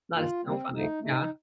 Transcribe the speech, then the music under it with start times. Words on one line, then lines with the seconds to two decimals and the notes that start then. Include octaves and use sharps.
That is so funny, yeah.
0.14 G2 D#3 A#3 F4
0.44 C3 G3 A#3 C4
0.74 F2 D3 F3 A3 D#4
1.02 A2 A3 D#4